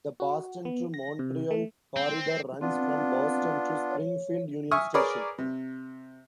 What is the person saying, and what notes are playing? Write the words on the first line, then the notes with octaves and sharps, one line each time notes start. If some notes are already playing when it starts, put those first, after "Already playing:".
The Boston to Montreal corridor runs from Boston to Springfield Union Station.
F#4
B3
A#6
C3
A3
C4
B3 C4 D4 F4
C#5
E5 G#5 C#6 D#6 F6
G#4 A#4 B4 C#5 D5
C3